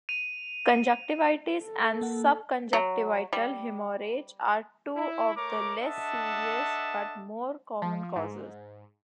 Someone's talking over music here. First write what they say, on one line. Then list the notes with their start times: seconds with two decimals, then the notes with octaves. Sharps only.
Conjunctivitis and subconjunctival hemorrhage are two of the less serious but more common causes.
0.09 D#7 F7
1.64 A4
2.02 A#3 F#5
2.73 F#3
3.33 G3
4.96 E4
5.37 A3 A#4 C#5 D6
5.82 D4 A4 D#5 E5 F#5 A5
7.82 F3
8.16 G#2